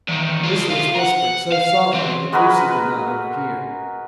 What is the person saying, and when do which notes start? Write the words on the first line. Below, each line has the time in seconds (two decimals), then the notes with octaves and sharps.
This was whispered so softly that Lucy did not overhear.
0.08 E2 D#3
0.43 G#3 F4
0.68 C2 F4
0.96 A#4 F#5
1.52 F5
1.93 E3 C4
2.33 G#3 F#4 A#4 B4